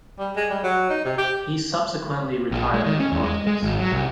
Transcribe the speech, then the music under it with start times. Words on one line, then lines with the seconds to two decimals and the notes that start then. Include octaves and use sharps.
He subsequently retired from politics.
0.19 G3
0.36 G#3
0.50 G3
0.63 F#3
0.90 D#4
1.05 C3
1.18 G4
2.51 A#1
2.74 G#3
2.86 D#3
3.00 C#4
3.12 E2
3.23 G#3
3.47 G#3
3.63 G#1
3.79 F#3
3.92 C2